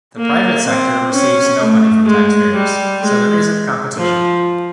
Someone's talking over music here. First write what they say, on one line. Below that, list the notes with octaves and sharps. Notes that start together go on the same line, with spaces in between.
The private sector receives no money from taxpayers, so there isn't competition.
A#3
C4
C#4
A3
G#3
G3
G#3
F3